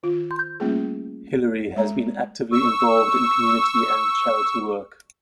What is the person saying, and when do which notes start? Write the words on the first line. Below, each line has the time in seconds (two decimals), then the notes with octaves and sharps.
Hilary has been actively involved in community and charity work.
0.03 D#3 F4
0.60 G3 A3 A#3 C#4 F4 G#4
1.76 G#3 A#5
2.52 C#6 E6